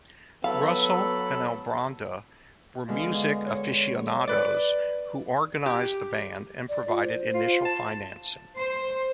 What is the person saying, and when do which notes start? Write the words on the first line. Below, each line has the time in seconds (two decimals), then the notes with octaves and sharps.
Russell and Albronda were music aficionados who organized the band and provided initial financing.
0.44 F#3 B3 A4 F5 B5
2.88 D3 G#3 B3 F#4 D#5 F5
3.46 C#5
4.27 B4 D5
5.66 G4
6.69 D5
6.88 F4
7.03 C5
7.34 F4
7.65 A5
8.57 C5